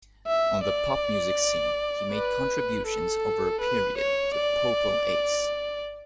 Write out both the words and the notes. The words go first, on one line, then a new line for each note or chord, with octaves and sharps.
On the pop music scene he made contributions over a period to Popol Ace.
E5
D5
B4
A4
B4
C#5
D5